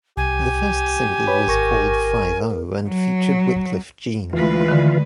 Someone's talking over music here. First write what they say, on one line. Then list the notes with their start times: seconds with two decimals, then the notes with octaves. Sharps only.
The first single was called "Five-O" and featured Wyclef Jean.
0.17 C2 G4 G#5
1.27 B4 C#5 B5
1.47 G#1 A#4 C#6 A#6
2.88 F#3
4.33 D2 E3 G#3 F4 B4
4.68 D3 D#3